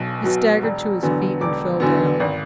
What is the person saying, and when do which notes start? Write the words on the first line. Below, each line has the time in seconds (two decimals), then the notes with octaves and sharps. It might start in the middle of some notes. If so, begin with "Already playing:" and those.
He staggered to his feet and fell down.
Already playing: B1 B2
0.24 B2 F#3
0.63 E1
1.03 E2 D3 F#3 B3
1.41 E1 D6
1.80 E2 D3 F#3 B3
2.20 G#1